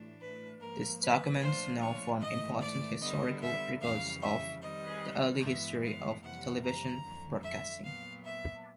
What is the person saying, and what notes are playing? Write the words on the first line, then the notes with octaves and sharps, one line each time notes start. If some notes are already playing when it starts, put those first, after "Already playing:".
These documents now form important historical records of the early history of television broadcasting.
Already playing: A2 E3 A3 D4
B4
G#2 F3 A#3 A#4
B4
A#2 F3 A3 D4 F4 C5
C#5
G#2 E3 A3 D#5
D5
D3 G3 B3 D#5
E5
F2 C#3 E3 G3 F5
E5
D#3 G3 C4 D#5
G2 E3 G#3 B3 E5
F5
F2 C3 E3 G3 A#3 F#5
A#5
F2 D3 F#3
E5
A#2 F#3 B3 F5
E5